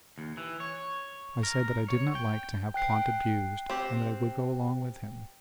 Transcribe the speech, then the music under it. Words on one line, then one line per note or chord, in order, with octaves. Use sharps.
I said that I did not like to have Pont abused and that I would go along with him.
D#2
E3
C#5
A#4
C#5
G5
G5 F#6 C7
C4 G4